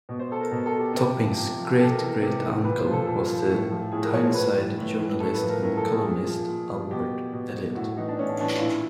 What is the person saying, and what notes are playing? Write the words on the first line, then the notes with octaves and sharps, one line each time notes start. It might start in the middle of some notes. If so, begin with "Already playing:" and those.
Topping's great-great-uncle was the Tyneside journalist and columnist Albert Elliott.
B2
C5
A4
A#4
B2 A#4
A4
G4
C3
F3
C3
F3
C3 A4
A#4
E3
A#4
C3
E3
A#2 B4
C5
F3
A4
A#2 A4
F3
A2
F3
A2 G#4
A#4
F3 C#5
C5
A2 B4
E3
A2
E3
A2 A4
B4
F3
A#4
A2 A#4
A4
F3
G#4
A#2
F3
A#2
F3
B2 G4
B2
A2 F#4
E3 D#4
D4
A2 C#4
D4
E3 D4
F4
A#2 E4